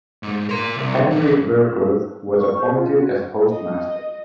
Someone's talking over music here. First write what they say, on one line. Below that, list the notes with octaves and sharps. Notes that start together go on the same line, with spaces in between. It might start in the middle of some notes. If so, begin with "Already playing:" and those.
Henry Verfurth was appointed as postmaster.
G#2
A#4 C6
C2
D3 E3
C#6
C5
F4
F#4
D#5